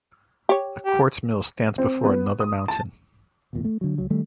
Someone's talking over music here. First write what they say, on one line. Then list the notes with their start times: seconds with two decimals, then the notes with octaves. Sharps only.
A quartz mill stands before another mountain.
0.49 G4 C#5
0.86 G4
1.78 C4
2.05 B3
2.40 D#6
2.68 A5
3.53 D1 A1 E2 A#2
3.65 A3
3.81 D3 F#3
3.98 C#2 F#3
4.10 D#3 G3 A3